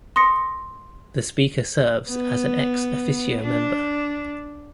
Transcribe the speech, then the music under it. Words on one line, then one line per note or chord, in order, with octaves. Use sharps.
The speaker serves as an ex officio member.
C6 D#6 A#6 C#7
B3
D4